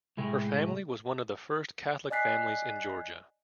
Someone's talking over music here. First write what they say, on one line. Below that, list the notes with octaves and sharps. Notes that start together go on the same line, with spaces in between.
Her family was one of the first Catholic families in Georgia.
A2 C3 G#3 A3
D5 D#5 G#5 F#6 B6 C7